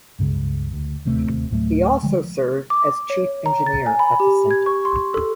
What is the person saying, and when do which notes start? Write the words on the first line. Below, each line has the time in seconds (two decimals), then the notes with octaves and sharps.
He also served as chief engineer at the center.
0.19 C#2 G2 C#3 G#3
0.73 D2
1.05 D1 D#2 C3 A3
1.51 D2 A2 F#3 A3
2.03 D3 F3 G3 G#3
2.70 D6
3.10 C#5
3.46 A#5
3.66 A6
3.86 G#5
3.99 B5
4.20 G4
4.51 G#6
4.66 C#6
4.85 C6
5.14 A4